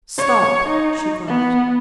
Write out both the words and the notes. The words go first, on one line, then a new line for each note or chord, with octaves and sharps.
"Stop!" she cried.
C#5
D#4
B3